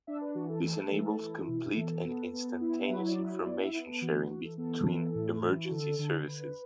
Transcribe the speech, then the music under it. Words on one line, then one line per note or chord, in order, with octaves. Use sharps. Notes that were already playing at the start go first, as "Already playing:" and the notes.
This enables complete and instantaneous information sharing between emergency services.
D4 E5
B4
E3 F#4
A4
A3 A4
E3
E4
B2
E3 A4
B3
B3
E4
F#3 B4
D5
E4
E5
E5
B3 D5
E5
B3 E5
A4
E3 F#4
F#4
E3 F#4
A4
B3 A4
E3
A2
E3
F#4
D3 A4
D3
D3 B4